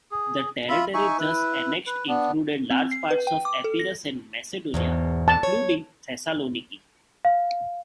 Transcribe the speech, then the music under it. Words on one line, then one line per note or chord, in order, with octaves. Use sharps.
The territory thus annexed included large parts of Epirus and Macedonia, including Thessaloniki.
G#4
F4 E5 B5
D#4 E5 G#5 C#6
E4 B4
B4
B3 D4
C4
C7
B4
G5
D6
A4
A#6
E2 G#2 B2
A5
C#5
F5